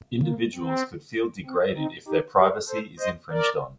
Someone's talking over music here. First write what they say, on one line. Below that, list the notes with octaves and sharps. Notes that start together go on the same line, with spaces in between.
Individuals could feel degraded if their privacy is infringed on.
A#3
C4
C4
C4 D#4
D#4 G4
G4 A#4
A4 C5
C5 D#5
A#4 D5